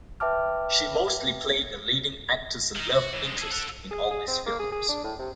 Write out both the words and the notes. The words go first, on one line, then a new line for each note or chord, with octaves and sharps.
She mostly played the leading actor's love interest in all these films.
B4 E5 G5 A5 D6 F6
D#3 D#4
F#4
G#2 E3
G2 G#3
G#4 A4
A4 F#5
G#4
G#4
C4
A#3
G#4
G#4
D4
A2
C3